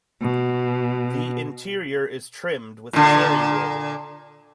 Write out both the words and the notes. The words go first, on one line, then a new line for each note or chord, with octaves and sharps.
The interior is trimmed with cherry wood.
B2
A#2 D3